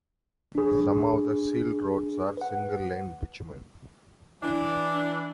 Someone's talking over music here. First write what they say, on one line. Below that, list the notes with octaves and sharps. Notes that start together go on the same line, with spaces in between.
Some of the sealed roads are single lane bitumen.
D4 G#4
B4 F#5
E3 D4